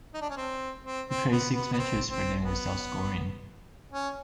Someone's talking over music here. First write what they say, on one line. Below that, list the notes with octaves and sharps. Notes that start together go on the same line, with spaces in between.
He played six matches for them without scoring.
D#4
D4
C#4
C4
C4
C4
B3
B3
B3
C4
C4
B3
C#4